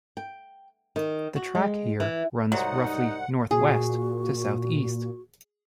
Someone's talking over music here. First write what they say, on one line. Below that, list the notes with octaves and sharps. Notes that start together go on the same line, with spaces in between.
The track here runs roughly north-west to south-east.
G5
D#3
F#4
G#3
E3
C2 G#2 F#3 D#4 F#5
A#2 F#4 G#4